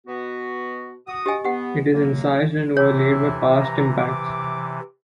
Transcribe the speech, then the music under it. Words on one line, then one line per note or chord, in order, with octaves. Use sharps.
It is incised and overlaid by past impacts.
B2 B3 F#4
F#4 D#6
G4 D#5 G#5
B3 G4 F#5
F#2 F#3 A#3
C3 E3 E4 C#5
A#5
D6